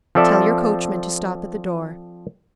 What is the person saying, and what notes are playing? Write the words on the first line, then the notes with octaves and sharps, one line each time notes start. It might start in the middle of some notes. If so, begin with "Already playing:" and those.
"Tell your coachman to stop at the door."
F3 C4 A4 D5 E5